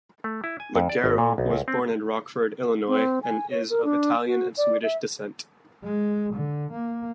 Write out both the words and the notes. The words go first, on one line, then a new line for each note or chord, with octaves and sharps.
Leggero was born in Rockford, Illinois and is of Italian and Swedish descent.
A3
E4
G#5
F2
D5
G#1
A#2
B1
C#2
C4
C4
G#5
C#5
A#4
D4
F#4
D5
E5
G#3
D3
A#3